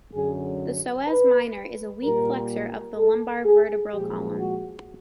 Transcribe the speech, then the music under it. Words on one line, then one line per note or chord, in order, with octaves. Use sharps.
The psoas minor is a weak flexor of the lumbar vertebral column.
F#2 D3 F#3 G#4
B4
A#2 G3 A#4
A4
G#4
A#2 F3 G#3 G4
F#4